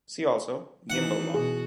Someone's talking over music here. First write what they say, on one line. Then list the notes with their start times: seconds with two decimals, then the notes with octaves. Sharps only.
See also: Gimbal Lock.
0.90 D#3 E3 D#4 F#5
1.34 B2 F#4 G#4